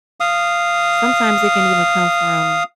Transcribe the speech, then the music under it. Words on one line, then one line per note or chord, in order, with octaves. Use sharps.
sometimes it can even come from
F5 D#6